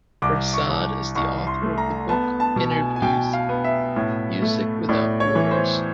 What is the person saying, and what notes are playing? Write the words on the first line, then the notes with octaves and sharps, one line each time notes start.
Prasad is the author of the book Innerviews: Music Without Borders.
C2 D6
C#6
C2
C2 C#6
C6
A3
A#5
B3 A5
A5
B2
G#5
G#5
B2 G5
F5
B3
E5
A2
A3
A2 D5
C#5
E3
C5